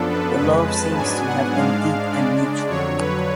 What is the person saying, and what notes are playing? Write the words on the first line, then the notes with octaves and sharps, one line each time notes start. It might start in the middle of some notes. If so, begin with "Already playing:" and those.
The love seems to have been deep and mutual.
Already playing: F#2 F3 B3 D4 A4
B4
F2 C#3 G#3 B4
A5
G#2 F#3 B3 D4 G#5
F#5
G#2 G#3 D4 F5
C#3 G#3 D4 D5
F2 D3 F#3 C#5
B4